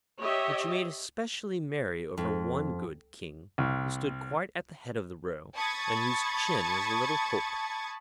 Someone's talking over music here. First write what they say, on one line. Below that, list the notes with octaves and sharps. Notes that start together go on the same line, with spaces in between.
But she made specially merry over one good King, who stood quite at the head of the row, and whose chin was a little hooked.
G4 C#5 D#5 E5
F2
C2
A5 B5 C#6 D#6 G#6 A6